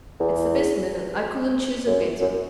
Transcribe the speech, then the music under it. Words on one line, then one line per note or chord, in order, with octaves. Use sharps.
"It's the best minute; I couldn't choose a better."
E2
F#2
F#2